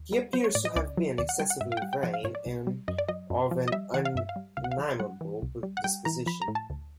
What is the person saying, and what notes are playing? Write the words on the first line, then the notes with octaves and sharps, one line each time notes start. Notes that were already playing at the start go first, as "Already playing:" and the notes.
He appears to have been excessively vain and of an unamiable disposition.
Already playing: D#2
G3
F#3 C5
C#5
A2 D5
D#5
C#2 D5
F#3
D#2 D5
F#5
G3 G5
F#5
G#2 E5
F5
G5
G3 F#5
G5
F3 F#5
F5
G#2 C#5
D5
C2
G3
F#2 D#5
D5
F#3 D#5
F#2
F3
D#5
G3 E5
E3 F#5
F5
G2 E5
F5
G3
C#2 F5
F#5
F5
F3
G3 F#5
E3
C2
G3
F#5
G3 G5
E3 A#5
F3 B5
A#5
A2
A5
D2